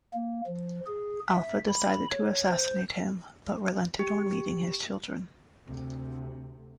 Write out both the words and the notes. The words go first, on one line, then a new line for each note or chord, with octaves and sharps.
Alpha decided to assassinate him, but relented on meeting his children.
A#3
F3
G#4
E5
B5
C#5
C5
G4
D2 C3